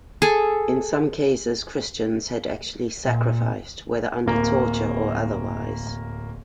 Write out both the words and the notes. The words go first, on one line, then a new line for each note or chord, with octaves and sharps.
In some cases Christians had actually sacrificed, whether under torture or otherwise.
G#4 A4
A#2
D1 A#3